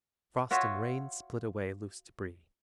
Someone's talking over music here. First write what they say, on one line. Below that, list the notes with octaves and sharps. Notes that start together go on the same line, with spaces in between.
Frost and rain split away loose debris.
F4 F#4 C#5 E5